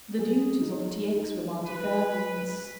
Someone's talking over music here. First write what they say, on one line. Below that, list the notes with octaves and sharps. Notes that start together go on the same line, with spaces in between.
The duties of T. X. were multifarious.
G#4
D#4
D#4
B4